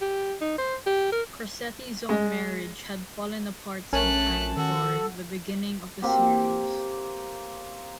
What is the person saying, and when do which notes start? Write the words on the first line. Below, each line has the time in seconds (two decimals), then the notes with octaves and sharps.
Crosetti's own marriage had fallen apart sometime before the beginning of the series.
0.01 G4
0.41 D#4
0.58 C5
0.86 G4
1.12 A#4
2.09 G#3
3.93 A#1 A3 C#4 A#4 G#5 A5 F#6
4.57 D#3 F#4 A4
6.02 A#3 C4 G4